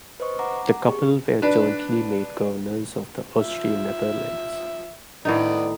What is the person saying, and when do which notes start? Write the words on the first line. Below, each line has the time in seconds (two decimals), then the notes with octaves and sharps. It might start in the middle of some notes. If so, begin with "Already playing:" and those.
The couple were jointly made Governors of the Austrian Netherlands.
0.20 B4 C5 D#5 C#6
0.39 F#5 A#5 D6
0.86 G4 G#4 C#6
1.42 D4 B4
3.37 F3 E5
5.25 A2 D#3 B3 D#4 D5